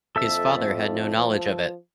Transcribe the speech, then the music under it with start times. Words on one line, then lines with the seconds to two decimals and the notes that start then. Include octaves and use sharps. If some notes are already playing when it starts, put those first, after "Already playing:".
His father had no knowledge of it.
0.16 F2 A4 E5 E6
1.16 F3